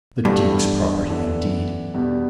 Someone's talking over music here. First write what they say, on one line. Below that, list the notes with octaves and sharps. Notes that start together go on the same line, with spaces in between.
The Duke's property, indeed!
G2 E3 B3 D4 A4
E3 B3 D4 A4
E2 B2 G3 B3 D4